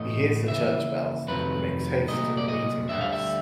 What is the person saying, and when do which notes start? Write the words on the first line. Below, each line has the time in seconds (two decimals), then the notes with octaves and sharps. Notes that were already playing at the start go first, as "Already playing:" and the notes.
He hears the church bells and makes haste to the meeting house.
Already playing: A2 E3 A3 D#5
0.47 D#2 C#3 E3 E5
1.28 F2 C3 D#3 F#3 A3 B4
2.08 C2 A#2 F#3 A3 D#5
2.37 D5
2.48 D#5
2.89 D2 D3 G3 E5
3.01 F5
3.12 E5